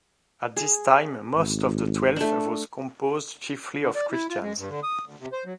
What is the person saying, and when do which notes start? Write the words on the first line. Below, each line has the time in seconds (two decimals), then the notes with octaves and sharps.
At this time, most of the Twelfth was composed chiefly of Christians.
0.56 G#4
1.35 G#1
2.16 A3 D4
3.81 D3
3.95 D5
4.11 E4
4.30 F4
4.42 G#3
4.58 G2
4.69 D3
4.83 D#6
5.05 D2
5.20 C3
5.32 C5
5.46 F#3